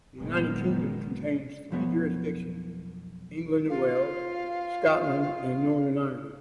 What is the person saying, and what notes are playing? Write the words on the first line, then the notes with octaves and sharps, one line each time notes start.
The United Kingdom contains three jurisdictions: England and Wales; Scotland; and Northern Ireland.
F#1 A#2 D#3 G#3 B3
B1 F2 F3 A3 B3 C#5
F4 F5